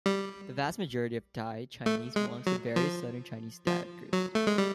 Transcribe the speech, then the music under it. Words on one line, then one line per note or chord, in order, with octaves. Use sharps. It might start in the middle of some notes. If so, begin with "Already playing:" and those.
The vast majority of Thai Chinese belong to various southern Chinese dialect groups.
G3
A3
G#3
F#3
F3
F3
F#3
A3
G#3
G3